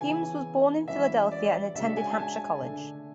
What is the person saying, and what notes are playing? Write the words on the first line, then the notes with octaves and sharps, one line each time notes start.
Humes was born in Philadelphia and attended Hampshire College.
C#3 E3 B3 G#5
F#2 E3 G#3 C#4 E4 E5
D5
C#3 G#3 D4 F#4 E5
G#5
A5
G#5
D3 A3 D4